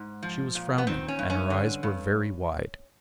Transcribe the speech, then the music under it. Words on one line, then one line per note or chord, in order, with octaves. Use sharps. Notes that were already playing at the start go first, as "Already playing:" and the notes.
She was frowning, and her eyes were very wide.
Already playing: G#2
F3
A#2
B3
D#3 C4
C#4
G2
C#4
D3
G2